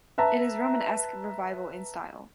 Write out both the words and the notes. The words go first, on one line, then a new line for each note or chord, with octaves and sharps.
It is Romanesque Revival in style.
B4 E5 A5 A#5